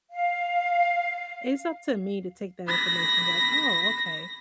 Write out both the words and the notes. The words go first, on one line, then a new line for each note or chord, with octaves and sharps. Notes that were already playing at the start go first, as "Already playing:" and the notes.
It's up to me to take that information, like, "Oh, okay."
F5
B5 A#6